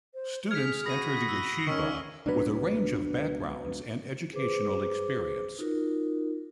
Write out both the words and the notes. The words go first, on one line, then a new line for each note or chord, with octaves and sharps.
Students enter the yeshiva with a range of backgrounds and educational experience.
C5
G#4 F6 G#6 B6
F#4 B5 D#6 A#6 D#7
E6
D#3 C#4 C#6 E6 F6
C#2 B2 F#3 D4 B4
G#4 B4 C5 D6
D#4 F4 F#4 A#4